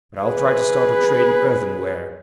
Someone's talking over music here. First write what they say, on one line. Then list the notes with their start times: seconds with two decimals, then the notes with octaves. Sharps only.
But I will try to start a trade in earthenware.
0.21 G#4 B4